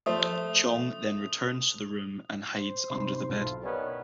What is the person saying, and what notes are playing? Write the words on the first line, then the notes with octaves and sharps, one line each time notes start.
Chong then returns to the room and hides under the bed.
F3 A3 C5 D#6
C5
C3 D#4 C6
B1 E4 F4
G3 B3 C#4 A#4 B4 D#5